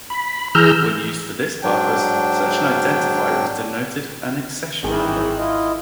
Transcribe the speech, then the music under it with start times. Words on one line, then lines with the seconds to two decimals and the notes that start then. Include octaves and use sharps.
When used for this purpose, such an identifier is denoted an accession number.
0.10 B5
0.55 E3 G#4 A#5 E6 F6 G6
1.63 G#2 F#3 D4 G5
4.83 G#1 D#3 E3 C4 G#4
5.38 E4 F4 D#5